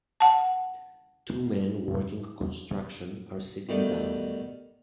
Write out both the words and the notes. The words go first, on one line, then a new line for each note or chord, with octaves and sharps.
Two men working construction are sitting down.
F#5 A5
B2 D#3 G3 A3 D#4